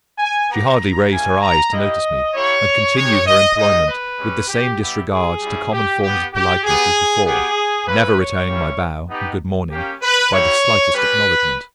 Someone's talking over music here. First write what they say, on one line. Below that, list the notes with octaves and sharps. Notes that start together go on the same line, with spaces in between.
She hardly raised her eyes to notice me, and continued her employment with the same disregard to common forms of politeness as before; never returning my bow and good-morning by the slightest acknowledgment.
G#5
B3 G4 A#5
G3 A#3 C#4 E4 G#5
A#5
A#3 E4 G4 D#5
A#3 E4 G4 C#5
G#3 D#4 G4 C#5
D#5
G#3 D#4 G4 D#5
B4
G#3 C#4 G4
G4
G3 B3 E4 G4
G#4
G3 C#4 E4
G4
B3 G4
G4
B3 G4 G#4
B3 G4 G#4
A#3 C#4 E4 B4
C#5
G3 A#3 C#4 E4 G4
B3 D#4 G4
A#3 C#4 G4
B4
A#3 E4 G4 C#5
G3 C#4 G4 B4